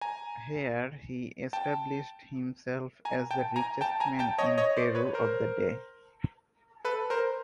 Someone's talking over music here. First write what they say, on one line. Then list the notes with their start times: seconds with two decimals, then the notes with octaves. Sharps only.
Here he established himself as the richest man in Peru of the day.
0.01 G#5 A#5
1.53 G5 A5
3.05 G#5 A#5
3.31 G5 A5
3.56 G#5 A#5
3.81 G5 A5
4.00 G#5 A#5
4.19 G5 A5
4.38 C#5 D#5
4.58 C#5 D#5
4.77 C5 D5
4.95 B4 C#5
5.14 A#4 C5
6.85 A4 B4
7.10 A#4 C5